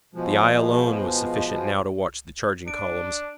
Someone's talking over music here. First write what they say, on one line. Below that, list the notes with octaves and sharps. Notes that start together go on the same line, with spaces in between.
The eye alone was sufficient now to watch the charging columns.
B2 F3 G#3
D4 D7